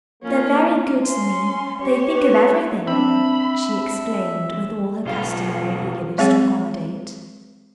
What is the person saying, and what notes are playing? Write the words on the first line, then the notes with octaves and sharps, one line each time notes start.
"They're very good to me--they think of everything!" she exclaimed with all her customary eagerness to accommodate.
F3 A#3 C#4 F4
C#4 C6
G4 C#5
B4
C4 D4 E5 B5
B1 F4
F#3 G#3 C4 G#4 C#5 F#5